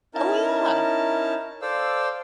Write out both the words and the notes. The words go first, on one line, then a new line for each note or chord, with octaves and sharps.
Oh, yeah.
C#4 D#4 E4 A#4 A5
A4 C5 D5 F5 E6